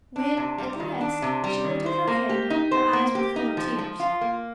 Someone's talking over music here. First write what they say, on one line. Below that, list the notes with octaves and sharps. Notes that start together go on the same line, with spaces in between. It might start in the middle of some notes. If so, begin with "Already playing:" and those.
When, at last, she lifted her head, her eyes were full of tears.
D4
C3
G3
D#3
D4
C3
G3
D#3
C5
A#3
G4
D#4
C5
A#3
G4
D#4
F3
F3
F4
A#3